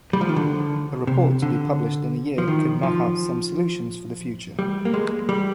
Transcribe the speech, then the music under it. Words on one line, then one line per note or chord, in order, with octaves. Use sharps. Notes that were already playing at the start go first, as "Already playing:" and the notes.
A report to be published in a year could map out some solutions for the future.
G3
F3
D#3
D3
C3
D3
F3
D#3
F3
G3
A#3
G#3
G3